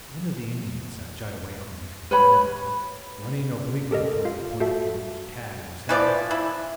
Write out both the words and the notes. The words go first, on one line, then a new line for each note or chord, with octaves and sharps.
One of the Indians had shot away from his companion, running obliquely toward the point to which Tad was headed.
B4 C#5 B5
G4 A4 A#4 D#5
F4 F5
F#4 A4 E5 A5
E3 F3 D5
E4